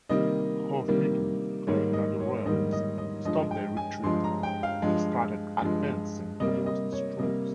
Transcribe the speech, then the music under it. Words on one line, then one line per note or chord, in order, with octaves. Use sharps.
O'Higgins claimed that the royalists stopped their retreat and started advancing towards his troops.
C3 D#3 G3 A#3 D#5
C3 D#3 G3 A#3
G#2 D#3 G3 A#3 C#5
D#5
C#5
G#2 D#3 G3 A#3 D#5
D#5
D#5
G2 F3 G#3 D#5
G5
G#5
G2 F3 G#3 C6
A#5
G5
F5
G2 F3 G#3
G2 F3 G#3
C3 G3 A#3 D#5
D#5
C#5
C3 G3 A#3 D#5